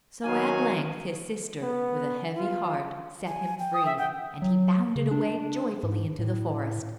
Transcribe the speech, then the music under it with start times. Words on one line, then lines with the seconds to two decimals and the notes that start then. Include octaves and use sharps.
So at length his sister, with a heavy heart, set him free, and he bounded away joyfully into the forest.
0.25 D#3 F#3 F5 G#5
1.62 B3
2.36 F4
3.27 G#5
3.59 G5
3.74 D#6
3.86 E5
3.98 F#5 G5
4.42 F#3
4.96 C#3
5.11 D4
5.83 G#2
6.19 A2